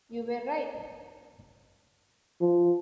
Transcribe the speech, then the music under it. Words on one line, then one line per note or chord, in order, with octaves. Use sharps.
You were right!
F3